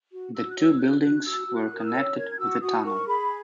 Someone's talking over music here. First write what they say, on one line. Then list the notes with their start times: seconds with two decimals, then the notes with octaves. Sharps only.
The two buildings were connected with a tunnel.
0.12 F#4
0.34 F#4 E6
0.50 F#6
0.57 C#5 E6
0.79 F#4 F#6
1.02 F#4 F#6
1.25 F#4 E6
1.47 F#4
1.55 F#6
1.71 A#4
1.79 D#6
1.86 E6
1.93 C#5
2.16 A#4 G#6
2.38 F#4 E6
2.61 F#4 D#6
2.84 A#4 C#6
3.06 G#4 B5